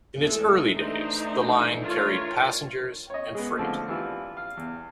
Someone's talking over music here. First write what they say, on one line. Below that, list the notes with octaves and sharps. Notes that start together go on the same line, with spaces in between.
In its early days the line carried passengers and freight.
E2 G#3 A3 A4
E3 A3 D4 D#4 C5
F4 A#4 C#5
C#5 D#5
G#3 B3
D3 F3 A3 C4
E3 G3 E4 F4
F5
E2